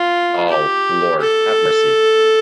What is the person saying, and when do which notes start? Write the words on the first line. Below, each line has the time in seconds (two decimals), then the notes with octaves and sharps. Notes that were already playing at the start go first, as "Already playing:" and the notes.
All: Lord, have mercy.
Already playing: F4
0.49 G4
1.21 A4